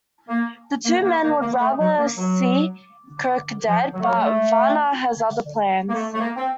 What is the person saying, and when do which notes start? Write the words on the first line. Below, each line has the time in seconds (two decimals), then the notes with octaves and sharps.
The two men would rather see Kirk dead, but Vanna has other plans.
0.29 A#3
0.85 A#3
1.04 A#3
1.24 A#3
1.41 A#3
1.60 A3
1.80 F#3
1.98 A#3
2.17 F#3
3.68 F3
3.93 F#3
4.00 A3
4.08 F#3
4.18 A3
5.89 A#3
5.94 A3
6.13 A3
6.20 A#3
6.36 C4